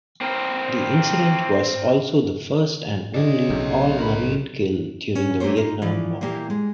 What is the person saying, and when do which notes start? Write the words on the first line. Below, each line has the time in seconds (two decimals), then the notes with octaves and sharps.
The incident was also the first and only all-Marine kill during the Vietnam War.
0.21 C4 A#4
3.14 C#3 D4 A4 D#5
3.50 B1 C3
3.98 A#4 B5
5.15 C#4
5.40 A3 A#3 C4 G4 C5 C#5
5.57 D#4 F4
5.82 E3 F3 D5
6.21 A#2 E3 A#3 G4
6.50 G#3